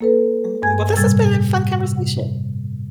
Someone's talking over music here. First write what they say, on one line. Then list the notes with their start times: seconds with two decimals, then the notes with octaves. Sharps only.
Mhm, well, this has been a fun conversation,
0.01 A#3 A4 B4
0.62 G2 G#5 G#6
0.97 A2 C3 G3 G#6 A6
1.84 C3